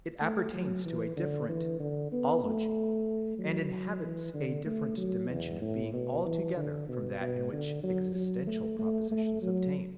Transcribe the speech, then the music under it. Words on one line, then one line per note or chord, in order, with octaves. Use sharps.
It appertains to a different "-ology," and inhabits a different dimension of being altogether from that in which existential propositions obtain.
A3
F#3
E3
D3
E3
D3
B3
A3
F#3
E3
D3
A3
F#3
E2
A2
B2
E3
D3
B2
B2
D3
F#3
F#3
A3
A3
A3
F#3